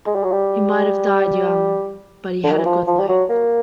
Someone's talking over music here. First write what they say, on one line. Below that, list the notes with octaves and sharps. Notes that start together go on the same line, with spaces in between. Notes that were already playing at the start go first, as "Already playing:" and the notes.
He might have died young, but he had a good life.
G#3
G3
F#3
G3
D3
D#3
E3
F3
F3
G3
F#3
A#3